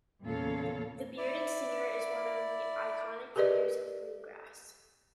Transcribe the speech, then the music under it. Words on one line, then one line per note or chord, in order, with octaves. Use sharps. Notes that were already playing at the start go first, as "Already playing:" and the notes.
The bearded singer is one of the iconic figures of bluegrass.
E2 A#2 C#3 A4 C#5 F5
E4 D5
G4 G#4 A#4 B4 D5 D#5